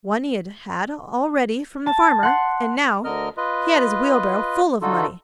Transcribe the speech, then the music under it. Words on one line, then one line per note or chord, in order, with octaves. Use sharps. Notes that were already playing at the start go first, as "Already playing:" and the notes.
One he had had already from the farmer, and now he had his wheelbarrow full of money.
A5
F#5 C6
D2 D3 A#4 D#5 F6
F4 B4 D#5
D3 D#4 F4 F#4 A4